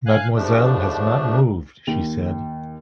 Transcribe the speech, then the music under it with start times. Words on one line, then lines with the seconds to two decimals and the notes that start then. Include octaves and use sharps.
"Mademoiselle has not moved," she said.
0.07 F5 G#5 F#6
0.36 D#2 G#2 B2 F3 A3 D4
1.87 D#2